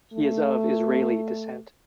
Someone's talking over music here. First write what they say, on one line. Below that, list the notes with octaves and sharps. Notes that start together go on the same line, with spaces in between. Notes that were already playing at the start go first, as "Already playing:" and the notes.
He is of Israeli descent.
A3